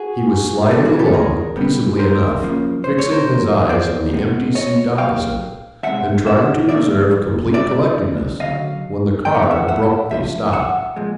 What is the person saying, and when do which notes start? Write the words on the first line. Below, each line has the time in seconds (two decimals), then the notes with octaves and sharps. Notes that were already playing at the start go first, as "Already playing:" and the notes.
He was sliding along peaceably enough, fixing his eyes on the empty seat opposite, and trying to preserve complete collectedness when the car abruptly stopped.
Already playing: F#4 G#4
0.71 C2 B2 G#3 B3 G4 A4
0.85 F#4 G#4
0.99 G4 A4
1.14 G#4 A#4
1.56 B2 G3 B3
1.99 A#4 C5
2.42 F#2 C#3 F3 A#3
2.84 C5
2.98 C#5
3.12 A#4 C5
3.27 A#2 F3 A#3
3.69 C5 D5
4.13 C#2 C3 D#3 G#3 B3
4.55 C#5 D#5
4.98 C#2 C#3 F#3 A#3 F5 G5
5.83 C2 B2 G#3 C4 E5 F#5
6.26 E5 F#5
6.69 C2 C3 F3 A#3 D5 E5
7.54 C2 B2 G#3 B3 D5 E5
8.40 D2 C#3 F#3 D#5 F5
9.25 G2 D3 F3 G5
9.34 F#5
9.43 F5
9.51 E5 F#5
9.68 E5 F#5
10.11 C#2 C#3 F3 E5
10.53 E5 F#5
10.96 A#2 F3 G#3